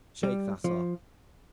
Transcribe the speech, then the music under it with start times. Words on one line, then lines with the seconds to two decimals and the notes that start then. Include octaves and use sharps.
Shake that off!
0.23 G3
0.64 F3